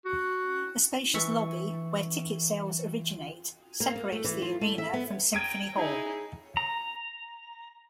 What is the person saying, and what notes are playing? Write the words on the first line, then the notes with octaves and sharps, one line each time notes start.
A spacious lobby, where ticket sales originate, separates the Arena from Symphony Hall.
F#4
E3 E5 C#6
A#3
A#3
A3
E3
F4
A3
E5
B3
G5 A#5 G#6 D7 D#7
D#4 E4 G#4
A#5